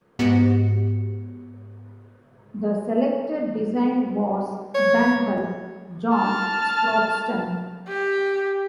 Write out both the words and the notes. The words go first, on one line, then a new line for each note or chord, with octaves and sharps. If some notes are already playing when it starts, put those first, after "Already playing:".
The selected design was done by John Sproston.
G#2 B3 F#4 G4 C#7
C#5
A5 F6
G4